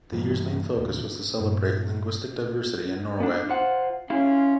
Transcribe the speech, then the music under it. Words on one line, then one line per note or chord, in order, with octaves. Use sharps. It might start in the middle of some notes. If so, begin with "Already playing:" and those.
The year's main focus was to celebrate linguistic diversity in Norway.
G2 E3 G3 A#3
D#2 A2
G2 A#2
B3 D4
F4 C5 F#5
C#4 E4 F4 G#4